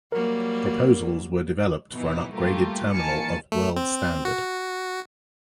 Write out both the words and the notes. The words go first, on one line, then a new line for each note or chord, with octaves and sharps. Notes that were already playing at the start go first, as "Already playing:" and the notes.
Proposals were developed for an upgraded terminal of world standard.
F#3 G3 A#3 A#4
B2 E3 F3 D#4 E4
G3 A3 A#3 F4 G4
D#3 E3 A#3 G#5 A5 C#7
A3
C4
F#4